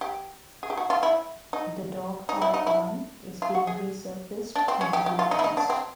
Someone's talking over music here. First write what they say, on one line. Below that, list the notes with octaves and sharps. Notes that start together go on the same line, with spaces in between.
The dog park run is being resurfaced and re-fenced.
G4
G#4
G4
F#4
F4
E4
D#4
D#4
E4
D#4
E4
F4
F#4
G#4
D4
C4
C#4
G4
G4
F4
D#4
E4
D#4
D4
C4